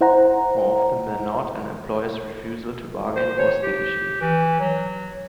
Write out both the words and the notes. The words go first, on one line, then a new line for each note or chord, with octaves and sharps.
More often than not, an employer's refusal to bargain was the issue.
E4 C5 F#5 A#5
C5
C#5
G4
E3
F#3